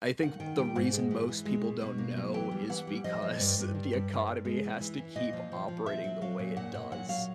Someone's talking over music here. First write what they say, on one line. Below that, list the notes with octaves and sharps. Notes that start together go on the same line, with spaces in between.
I think the reason most people don't know is because the economy has to keep operating the way it does,
D#3 F#5
D#3 G5
G3 G5
G#2 F#5
G#3
E3
E3
G#3
B2
B2
A#3
F#3
E3 G5
G3
E3 F#5
G3
F3 D#5
F3
G2 D5
G2
G2
G2
G2
G2
G#3
E3
E3
E3
A#2 D#5
F3
F3
F3
A#2 E5
F#3
F#3 F5
A#2
A#2 F#5
A#2 F#5
F#3 F#5
F#3 F5